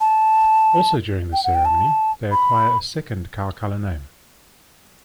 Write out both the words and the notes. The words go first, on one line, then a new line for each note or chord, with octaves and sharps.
Also during this ceremony they acquire a second cow-colour name.
A5
G5
F#5
G5
A5
B5